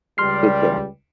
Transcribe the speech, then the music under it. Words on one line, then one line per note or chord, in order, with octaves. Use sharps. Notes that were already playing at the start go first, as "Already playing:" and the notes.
Take care.
C#2 G3 C6 F6 C7